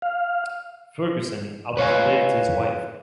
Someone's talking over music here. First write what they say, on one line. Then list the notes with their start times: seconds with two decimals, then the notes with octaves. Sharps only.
Ferguson outlived his wife.
0.02 F5
1.77 B4 C#5 F5 G#5